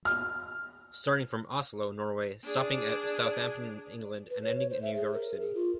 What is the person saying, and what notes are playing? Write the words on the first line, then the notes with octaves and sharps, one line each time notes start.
Starting from Oslo, Norway, stopping at Southampton, England, and ending in New York City.
F6
D4 G#4
B4
C#5
C#5
C5
E5
G#4
A#4
G#4
F4